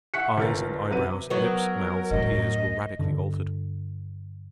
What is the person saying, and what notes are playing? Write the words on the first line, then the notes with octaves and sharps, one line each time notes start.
Eyes and eyebrows, lips, mouths, and ears, were radically altered.
E5 F#5 C#6 F#6 B6 C#7
G1 A#4 A6
C3 F#3 B4 D#7
F#3 B3 A#4
D2 A2 D#5
G2 D3